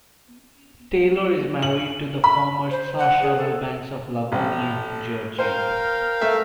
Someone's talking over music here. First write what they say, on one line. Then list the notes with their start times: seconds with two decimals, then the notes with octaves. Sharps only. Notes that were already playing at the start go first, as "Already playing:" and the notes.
Taylor is married to the former Sacha Wilbanks of Lavonia, Georgia.
1.62 F#7
2.24 B5
2.71 C5
2.98 F#5
3.22 G#4
3.37 A4
4.32 A1 A4
5.39 A#4 C5 F5 G5
6.21 A3 E5